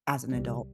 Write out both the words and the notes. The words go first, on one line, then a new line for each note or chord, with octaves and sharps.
as an adult."
C2 C3 E3 G3